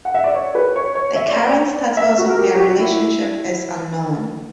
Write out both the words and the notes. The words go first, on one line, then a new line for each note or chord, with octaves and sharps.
The current status of their relationship is unknown.
F#5
E5
D5
C#5
B4
C#5
C#5
E5
D5
C#5
D5
E5
F#4
A#4
G4
G4
F#4
E4